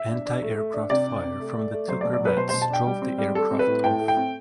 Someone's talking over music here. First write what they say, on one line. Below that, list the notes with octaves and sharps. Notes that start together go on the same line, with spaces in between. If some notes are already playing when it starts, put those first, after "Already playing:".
Anti-aircraft fire from the two corvettes drove the aircraft off.
Already playing: E5
D4
D4
A3
A3
D4
C3 D5
D4
C3
A3
A3
A3
F#3 C5
D5
B2
D5
F#3 B4
B2 C5
B2 C5
A5
D4 G5
G3
C4
G3
G3 A4
C4
B4
A2
A2 G5
A3
G5
C4